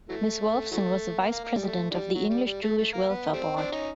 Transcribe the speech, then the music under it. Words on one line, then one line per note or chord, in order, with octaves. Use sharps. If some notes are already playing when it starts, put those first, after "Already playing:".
Mrs Wolfson was a Vice-President of the English Jewish Welfare Board.
E3 F#3 A3
E3 F#3 A3
A#3
A#3
A#3
G3
G#3
A3
D3 E3 G3
F#3
G3
G3
A3
A3
A#3
B3
G3 A3 C4
C4 D4
C#4 D#4